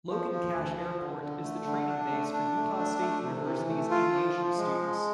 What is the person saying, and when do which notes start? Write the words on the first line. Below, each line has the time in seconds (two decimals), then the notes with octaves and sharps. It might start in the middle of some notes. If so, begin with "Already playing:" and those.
Logan-Cache Airport is the training base for Utah State University's aviation students.
0.09 F3
0.31 F3
0.54 D2
0.76 F3
0.98 D3
1.21 D3
1.43 A3
1.65 D3
1.88 D4
2.11 A3
2.33 D4
2.56 A3
2.78 D4
3.01 A3
3.23 C3
3.46 E3
3.69 A3
3.90 F4
4.13 F3
4.36 F3
4.58 G#3
4.81 G#3